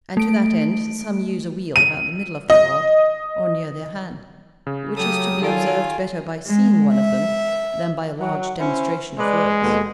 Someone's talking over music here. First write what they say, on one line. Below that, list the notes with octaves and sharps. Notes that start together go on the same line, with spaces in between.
And to that end, some use a wheel about the middle of their rod, or near their hand, which is to be observed better by seeing one of them than by a large demonstration of words.
A3 D7
D#7
D#5
C#3
F#3 G4 A4 D#6
D#3 F4 A4 G#5 D7
G#3
E5
F#3
C#4 E4 C5
G#3 B4 D5
D#2 B2 A4